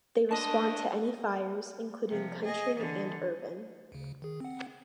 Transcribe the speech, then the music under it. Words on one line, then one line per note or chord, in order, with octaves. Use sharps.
They respond to any fires including country and urban.
G#3 D4 D#5 A5
C3 F3
G#4 D#5
D3 E3
D2 C#3
D#3 G#4
C4 F#5